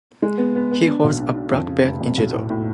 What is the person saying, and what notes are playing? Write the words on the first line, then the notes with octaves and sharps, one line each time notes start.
He holds a black belt in judo.
G#3
B3
B3
B3
D4
B1
D4
D4
F2
C#3
F1
F2
B1
A2
A2